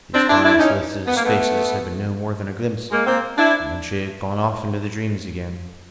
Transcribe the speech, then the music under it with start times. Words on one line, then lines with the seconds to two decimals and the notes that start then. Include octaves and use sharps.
These kind, solicitous faces had been no more than a glimpse, and then she had gone off into the dreams again.
0.14 C4 D4
0.29 D4 E4
0.45 D4 E4
0.60 C#4 D#4
1.06 B3
1.16 A#3
1.25 A3 B3
2.91 G#3 A#3
3.07 A#3 C4
3.38 D4 E4